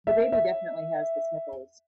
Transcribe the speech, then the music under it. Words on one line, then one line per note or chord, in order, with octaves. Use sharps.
The baby definitely has the sniffles.
E5
E5